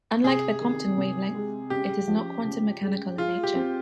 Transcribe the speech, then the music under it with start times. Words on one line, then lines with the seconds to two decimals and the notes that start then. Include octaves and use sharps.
Unlike the Compton wavelength, it is not quantum-mechanical in nature.
0.24 C3 G#4
0.61 D#3
0.97 C3
1.35 G#3
1.70 C#3 G4
2.08 F3
2.44 C#3
2.82 G#3
3.18 F4 G#4
3.43 G4
3.55 C4